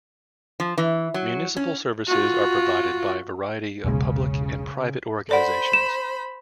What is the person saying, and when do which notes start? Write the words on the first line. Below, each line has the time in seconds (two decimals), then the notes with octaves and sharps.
Municipal services are provided by a variety of public and private organizations.
0.60 F3
0.78 E3
1.14 F#3
1.57 C#4
2.07 F4 F#4
3.85 E1 B1 C#3 G#3
5.29 A4 C5 D5 F#5 B5
5.73 E7